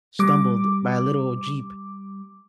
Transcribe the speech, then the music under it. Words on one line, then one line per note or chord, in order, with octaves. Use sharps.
stumbled by a little jeep,
G3 D6